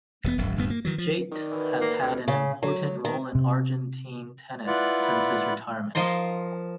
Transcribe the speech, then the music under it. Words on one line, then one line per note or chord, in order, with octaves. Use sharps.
Jaite has had an important role in Argentine tennis since his retirement.
E1 C#3 B3
D1 G#1 F#2
D1 D2 G2 B3
A#3
D#3 E3 F#3
F3
D#3 D5
E3 F#4 E5
F#4
A#3
D2 D#5
C#3
F#3
D#3
C3
E4 F4 B4 D5 F#5
F3 A#4 D#5 C6